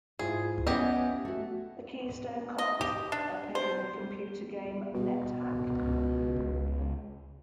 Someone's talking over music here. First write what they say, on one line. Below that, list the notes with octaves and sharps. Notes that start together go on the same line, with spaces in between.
The Keystone Kops appear in the computer game "NetHack".
G#2 E4 F4 G#4
E3 B3 C#4 G4 D#5 F#5
A3 F#4
D#5
G4
D4
C5
B2
C#2